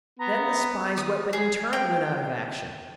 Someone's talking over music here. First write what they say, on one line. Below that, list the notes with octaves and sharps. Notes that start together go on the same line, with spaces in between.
Then the spy's weapon in turn went out of action.
B3 A#5
D#6
G#4
G5